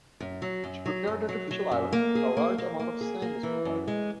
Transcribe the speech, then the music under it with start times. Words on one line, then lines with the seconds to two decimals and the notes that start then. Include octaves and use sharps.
To prepare the artificial island, a large amount of sand is required.
0.20 F#2
0.42 F#3
0.64 F#2
0.86 F#3
1.07 F#2
1.29 F#3
1.51 F#3
1.71 F#2
1.93 A#3
2.15 G#4
2.37 A#3
2.58 A#3
2.79 A#3
3.01 G#4
3.22 A#3
3.43 E3
3.65 F#2
3.87 G#3